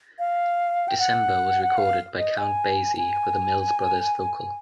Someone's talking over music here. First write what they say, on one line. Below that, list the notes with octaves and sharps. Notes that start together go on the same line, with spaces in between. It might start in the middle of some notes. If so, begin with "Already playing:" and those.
"December" was recorded by Count Basie with a Mills Brothers vocal.
F5
G5
F#5
F5
D#5
G#5
G#5